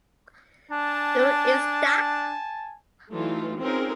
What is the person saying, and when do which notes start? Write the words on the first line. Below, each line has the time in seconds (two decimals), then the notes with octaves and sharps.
Du Iz Tak?
0.71 D4 G#5 A5
3.12 E3 F#3 A3 D#4 F4
3.59 C4 C#4 D#4 F4 G#4 A#4